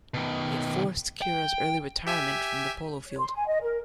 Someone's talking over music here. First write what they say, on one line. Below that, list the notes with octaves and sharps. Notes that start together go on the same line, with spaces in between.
It forced Cura's early retirement from the polo field.
B2 D#3
G5
G4 E5 G#5
C#5
C6
G#5
D#5
A#4